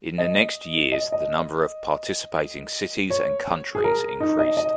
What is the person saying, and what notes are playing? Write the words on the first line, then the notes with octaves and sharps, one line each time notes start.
In the next years the number of participating cities and countries increased.
D#5
D#5
D#5
C#5
G#4
A#4
D#4
D#5
D#5